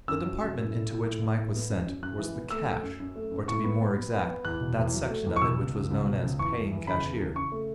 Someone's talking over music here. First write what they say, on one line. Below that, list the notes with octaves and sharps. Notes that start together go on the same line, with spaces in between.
The department into which Mike was sent was the Cash, or, to be more exact, that section of it which was known as Paying Cashier.
F#2 E6
F#3
F#2
A2
A2
A2
A2
A2
A2
B3
F#2
F#2
F#2 F#6
E3
B3
A3 E6
A3
F#2
F#2
A3
F#2
A2 C#6
B3
B3
B3
B3
B3
E2 F#6
B2
E2
F#3
A3
E2
C#6
B2 E6
C#2
C#2
C#2
B2
C#2
E2 C#6
E2
E3
C#3 B5
E2
C#3
C#3 C#6
A3